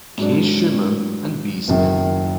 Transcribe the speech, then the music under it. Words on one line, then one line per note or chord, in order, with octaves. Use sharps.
K. Schuhmann and B. Smith.
G#2 F#3 D4
F#1 F#2 D#3